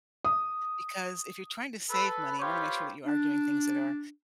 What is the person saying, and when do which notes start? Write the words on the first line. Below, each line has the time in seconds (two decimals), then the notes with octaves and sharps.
because if you're trying to save money, you wanna make sure that you are doing things that are
0.25 D#6
1.90 A4 B4
2.39 C4 F4 G4 B4 C#5
3.07 D4